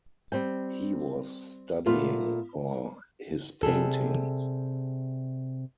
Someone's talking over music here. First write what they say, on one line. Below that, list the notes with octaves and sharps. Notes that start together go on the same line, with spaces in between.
He was studying for his painting.
G3 C4 G5
A#2 A3 B3 F4
C3 G3 G#4 A4